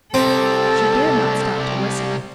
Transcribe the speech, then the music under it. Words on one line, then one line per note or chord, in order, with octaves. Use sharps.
She dared not stop to listen.
C3 G3 C4 A4